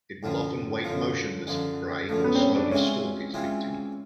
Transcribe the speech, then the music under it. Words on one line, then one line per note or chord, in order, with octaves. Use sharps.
It will often wait motionless for prey, or slowly stalk its victim.
F#2 D3 F3
F#2 D3 F3
F#2 D3 F3
F#2 D3 F3 A3
B3
C4
C#4
D4
C#3 E3 G#3 C4 C#4 F4
C#3 E3 G#3 C4 F4